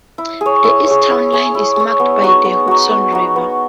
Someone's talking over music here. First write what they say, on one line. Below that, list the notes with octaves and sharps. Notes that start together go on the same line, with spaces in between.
The east town line is marked by the Hudson River.
E4
G#4 C#5
E4
G#4 C#5
E4
G#4 C#5
E4
G#4 C#5
B3
D#4 F#4
B3
D#4 F#4
B3
D#4 F#4
B3